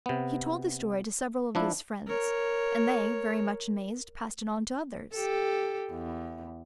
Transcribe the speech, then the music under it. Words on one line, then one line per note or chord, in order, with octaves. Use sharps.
He told the story to several of his friends and they, very much amazed, passed it on to others.
C3 B3
F3 D4 E4
A#4 C#5
G4 A4
E2